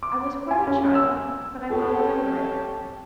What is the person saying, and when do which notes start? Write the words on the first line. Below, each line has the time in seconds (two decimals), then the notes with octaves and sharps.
I was quite a child, but I well remember it.
0.03 D6
0.51 G#5
0.67 C#4
0.95 E6
1.70 G4 A4 C#5 A5